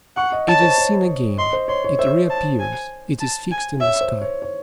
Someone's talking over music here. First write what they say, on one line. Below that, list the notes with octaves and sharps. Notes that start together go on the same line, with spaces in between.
It is seen again, it reappears, it is fixed in the sky.
F#5 C#6
D#5
C#5 A5
C5
C#5
D#5 C6
C5
C#5 C6
C#5
C5 E5
A5
G#5
A5
G#5
C#5 E5
C5
C#5
C#5